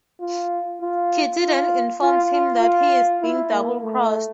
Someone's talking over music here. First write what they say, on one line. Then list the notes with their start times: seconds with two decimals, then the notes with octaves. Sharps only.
Kitty then informs him that he is being double-crossed.
0.20 F4
0.82 F4
1.42 F4
2.02 F4
2.32 F4
2.61 F4
3.22 E4
3.52 A#3
3.82 A3